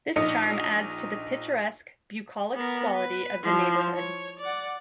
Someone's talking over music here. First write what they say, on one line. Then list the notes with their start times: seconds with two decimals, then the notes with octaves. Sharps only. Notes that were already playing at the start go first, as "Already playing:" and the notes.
This charm adds to the picturesque, bucolic quality of the neighborhood.
0.16 A#1 D#4 D#5 C#7
2.56 B3 A#4
2.94 B4
3.43 F3 E4
3.95 C#5
4.40 D5 F#5